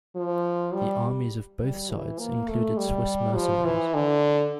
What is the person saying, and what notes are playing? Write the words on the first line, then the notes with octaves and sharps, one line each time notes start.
The armies of both sides included Swiss mercenaries.
F3
G3
G3
E3
A#3
A3
G3
F3
E3
D3